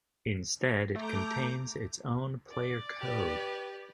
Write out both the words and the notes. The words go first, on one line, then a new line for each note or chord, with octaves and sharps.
Instead it contains its own player code.
A3 A#5 D6 G6
D5
G4 B4